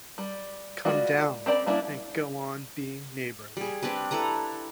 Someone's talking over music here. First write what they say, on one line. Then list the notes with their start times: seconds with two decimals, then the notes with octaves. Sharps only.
Come down, and go on being neighborly.
0.18 G3
0.85 G3 G#3 F4 F#4 D5
1.46 C4 G4 D5 B5
1.66 G3 A#3 D4 E4
3.57 G3 G#4
3.83 C4 D4 G4 B4
4.11 E4 A4 B4 A#5